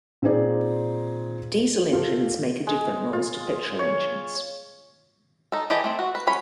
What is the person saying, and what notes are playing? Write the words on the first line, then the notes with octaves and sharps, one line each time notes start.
Diesel engines make a different noise to petrol engines.
A#2 C4 D#4 G#4 D5
F4 G4 A4
G#3
F4
C#5
D#4 A4
E3 G4 G#4 D#5 A5
A3 C4
F#4
B4
F#3 C#4 B5